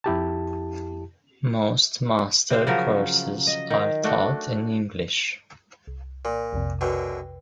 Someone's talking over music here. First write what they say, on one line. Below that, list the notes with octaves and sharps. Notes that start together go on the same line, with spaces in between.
Most master courses are taught in English.
F2 E4 G4 A5
C3 C4 C5 F5
C#3 F3 F#3 A#4
D#5
D#3
A3 D4 F#4
C2
A#2 A#4 D5
B1 F2 C3
F#2 B2 D3 B4 G5